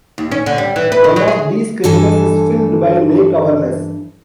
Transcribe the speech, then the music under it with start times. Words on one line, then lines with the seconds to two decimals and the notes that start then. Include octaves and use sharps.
One of these craters is filled by Lake Avernus.
0.18 D#2
0.32 C#4
0.46 D3
0.58 G3
0.76 E3
0.92 B4
1.04 D#3
1.16 F#3
1.28 G#4
1.84 G2 E3 A4 G#5